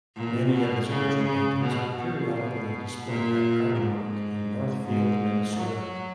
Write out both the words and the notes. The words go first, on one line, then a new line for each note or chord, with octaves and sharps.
Many of his original paintings are periodically on display at ArtOrg in Northfield, Minnesota.
A#2
B2
C#3
C#3
B2
B2
A#2
G#2
G#2
F#3